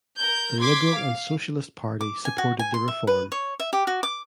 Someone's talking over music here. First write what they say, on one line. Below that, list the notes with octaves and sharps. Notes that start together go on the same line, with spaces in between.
The Liberal and Socialist party supported the reform.
A#4 G6
C6 D6 G#6 B6
F5
D6
G#5
F#4
G#5
C6
E5
B4
C#5
E5
G4
F#4
D6